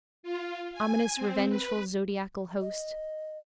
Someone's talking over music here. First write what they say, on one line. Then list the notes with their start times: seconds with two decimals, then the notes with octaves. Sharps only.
Ominous revengeful zodiacal host!
0.23 F4
0.73 G#5
1.16 C4
1.50 B4
2.61 D#5